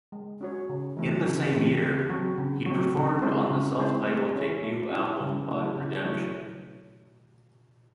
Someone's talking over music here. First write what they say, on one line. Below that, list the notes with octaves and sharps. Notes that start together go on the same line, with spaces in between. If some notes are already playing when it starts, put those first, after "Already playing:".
In the same year, he performed on the self-titled debut album by Redemption.
G#3
C#4 F#4 C#5
C#3
E3 A3 C4
C#3
E3 A3 C4
C#3
F#3 C4
C#3
F#3 C4
C#3
G#3 C4 E4 C5
C#3
G#3 C4 E4 C5
A3
C#4 E4
A3
C#4 E4
C#3
F#3 A3 C#4 E4
C#3
F#3 A3 C#4 E4